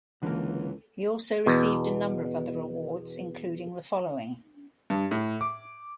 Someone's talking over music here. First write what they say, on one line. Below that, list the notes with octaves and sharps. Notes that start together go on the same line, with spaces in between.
He also received a number of other awards, including the following.
C#2 D3 E3 A#3
E2 B2
G2
A2
D6